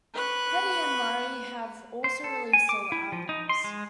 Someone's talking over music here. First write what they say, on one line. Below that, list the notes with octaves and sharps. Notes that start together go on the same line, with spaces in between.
Petti and Murray have also released solo albums.
B4 C#6 F#6
C5
A4
G#5
D6
E4
F3
D#4
C6
G#3